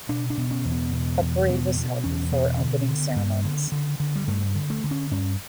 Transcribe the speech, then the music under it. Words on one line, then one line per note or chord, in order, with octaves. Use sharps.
A parade was held before opening ceremonies.
B2 D4
D4
B2
C#4
E2
B3
B2
E2
B2
B2
E2 C#4
B2 B3
D3
D3
G2
D3
D3
D3
G3
G2 A3
D3
A3
D3
C#4
G2 C#4